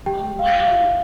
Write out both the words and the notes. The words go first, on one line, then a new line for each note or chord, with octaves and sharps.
Oh, wow.
G4 G5
F5
F5
E5
F5